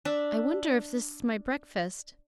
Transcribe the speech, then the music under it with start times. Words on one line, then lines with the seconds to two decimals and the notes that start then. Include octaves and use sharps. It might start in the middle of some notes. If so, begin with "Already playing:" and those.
"I wonder if this is my breakfast?"
0.05 D4 E5